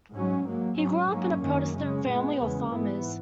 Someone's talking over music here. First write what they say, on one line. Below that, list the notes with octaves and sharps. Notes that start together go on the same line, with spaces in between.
He grew up in a Protestant family of farmers.
G#2 F#3 C#4
G#2 F#3 A#3
G#2 F#3 C#4
G#2 F#3 A#3 C#4
F#2 D#3 A#3 C#4
C#3 G#3 C#4
A#2 G#3 B3
E2 C#3 G#3
G#2 E3 B3